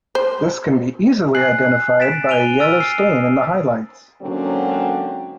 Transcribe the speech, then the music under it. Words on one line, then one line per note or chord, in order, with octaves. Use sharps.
This can be easily identified by a yellow stain in the highlights.
C5
G#5 F#6 C7 F#7
A6 B6 D7 E7
G#5 D7 D#7 F7 G7
E6 F6 A6 B6 D7 D#7
C7
D#6
G#2 D3 F#3 A#3 C4 C#4